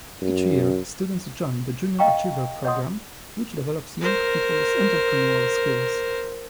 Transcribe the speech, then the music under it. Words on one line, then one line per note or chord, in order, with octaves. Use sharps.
Each year, students join the Junior Achiever programme which develops young peoples' entrepreneurial skills.
F#2
D#5 F5 G5 A#5 C#6
C#5 D#5 F#5 C6 D#6
A#4 C5